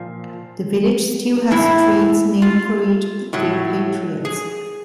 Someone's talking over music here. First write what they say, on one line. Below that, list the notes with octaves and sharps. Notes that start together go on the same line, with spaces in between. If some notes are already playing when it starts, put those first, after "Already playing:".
The village still has streets named for each of the three patriots.
Already playing: A#2 F3
A2 E3 E4
F4
A2 F#3
G#4